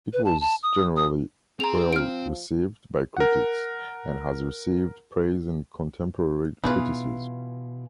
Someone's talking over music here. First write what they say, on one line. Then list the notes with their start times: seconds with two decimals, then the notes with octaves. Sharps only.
It was generally well received by critics, and has received praise in contemporary criticism.
0.13 B4
0.25 A5
0.41 A5
0.63 D#6
0.96 D#6
1.60 C4 G#4 A#5 C6 F7
1.93 F3 F6 D7
3.17 A#4 F#5
6.64 B2 E3 B3 D#4 F4 G#4 B4